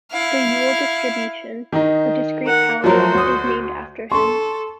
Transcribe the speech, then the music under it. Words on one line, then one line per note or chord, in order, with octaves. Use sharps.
The Yule distribution, a discrete power law, is named after him.
E4 F5
D#3 D#4
A#4 F#5
F3 F#3 F#4 A#4 C5
D2 D#6
A4 C6 C#6